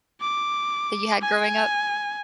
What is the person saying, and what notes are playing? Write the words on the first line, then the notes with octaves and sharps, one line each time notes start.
that you had growing up?
D6
G#5